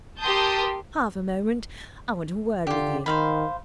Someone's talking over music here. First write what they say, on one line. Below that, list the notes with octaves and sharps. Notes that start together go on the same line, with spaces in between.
Half a moment: I want a word with you.
G4 A#4 A5 C6 D#6 G6
D3 F4 G4
D#3 C5 F5 B5